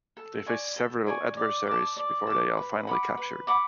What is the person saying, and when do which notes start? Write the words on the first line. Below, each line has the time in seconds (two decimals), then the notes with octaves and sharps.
They face several adversaries before they are finally captured.
0.17 A4
0.46 D5 G#5 C#6
0.76 A4
1.06 D5 G#5 C#6
1.37 D5
1.67 A5 D6
1.97 D5
2.27 A5 D6
2.57 B4
2.87 F#5 B5 D6
3.17 B4
3.47 F#5 B5 D6